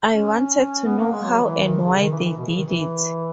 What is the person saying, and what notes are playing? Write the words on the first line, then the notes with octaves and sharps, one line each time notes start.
I wanted to know how and why they did it.
C#4
B3
A#3
G#3
F#3
E3
D#3
C#3
D#3
E3
D#3
E3
B2
C#3
D#3
E3